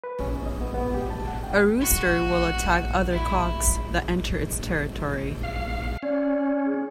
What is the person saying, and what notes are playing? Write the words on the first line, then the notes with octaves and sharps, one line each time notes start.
A rooster will attack other cocks that enter its territory.
B4
C#4
B3
D#5
B3
B3
G4
A5
F#5
G5
F#4
E4
F5
C#4 D5
G#4